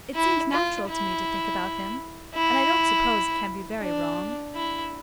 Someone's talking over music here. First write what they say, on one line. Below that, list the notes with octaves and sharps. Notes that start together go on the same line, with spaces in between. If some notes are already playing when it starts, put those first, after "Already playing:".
It seems natural to me to think about him, and I don't suppose it can be very wrong.
E4
F4
E4
E4
D4
E4